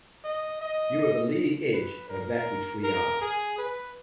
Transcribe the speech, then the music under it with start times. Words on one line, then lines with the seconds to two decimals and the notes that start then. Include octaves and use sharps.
You are the leading edge of that which we are.
0.24 D#5
0.61 D#5
1.73 B4
2.09 A#4
2.84 A#4
3.21 G#4
3.58 B4